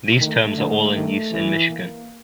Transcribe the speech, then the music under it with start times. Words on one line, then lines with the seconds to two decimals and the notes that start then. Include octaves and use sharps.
These terms are all in use in Michigan.
0.19 D#3 A3
0.57 D3
0.94 D#3
1.31 E3
1.69 A#3